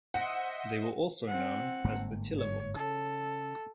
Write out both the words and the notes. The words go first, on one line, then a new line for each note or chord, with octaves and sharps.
They were also known as the Tillamook.
C5 D#5 E5 F#5
C4 F#5
G1 G#2 A#3
C#5
C#3 A4